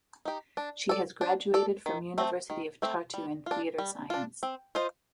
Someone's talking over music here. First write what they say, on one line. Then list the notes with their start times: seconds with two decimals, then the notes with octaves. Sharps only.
She has graduated from University of Tartu in theatre science.
0.25 D#4 G4
0.57 D4
0.89 A4 D5
1.21 D4
1.54 A4 D5
1.86 D#3
2.18 A3 C4
2.50 D#3
2.82 A3 C4
3.14 G3
3.46 D4 F4
3.78 G3
4.10 D4 F4
4.43 C4
4.75 F4 C5 D#5